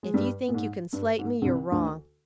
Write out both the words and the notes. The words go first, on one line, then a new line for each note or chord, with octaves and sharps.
If you think you can slate me, you're wrong.
G#3
G2 G3
A#2
G#2
G2
G#2
D3
C2 C3
D2 D3